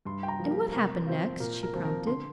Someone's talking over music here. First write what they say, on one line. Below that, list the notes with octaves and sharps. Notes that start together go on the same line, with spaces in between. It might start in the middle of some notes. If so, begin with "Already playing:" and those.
"And what happened next?" she prompted.
G2 C6
G5
A#5
F3 A#3
G4
C3 A#4
F3 C4 F4
A#2 A#4
A#4
F3 C4
A#4
D3 C6